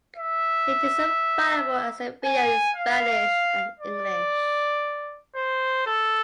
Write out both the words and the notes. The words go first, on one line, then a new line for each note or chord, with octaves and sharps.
It is available as a video in Spanish and English.
E5
G#5
F5
D5
C5
A4